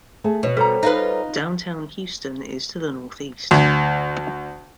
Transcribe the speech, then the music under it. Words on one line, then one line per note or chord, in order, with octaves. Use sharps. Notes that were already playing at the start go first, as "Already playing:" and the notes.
Downtown Houston is to the northeast.
A3 G#4 A5
B2 C#5
G3 A4 C5 C#5 A#5
D#4 F4 B4
D2